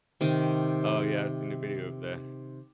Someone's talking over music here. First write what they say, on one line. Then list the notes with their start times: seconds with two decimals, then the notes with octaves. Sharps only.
Oh, yeah, I've seen the video of that.
0.21 C3 D#3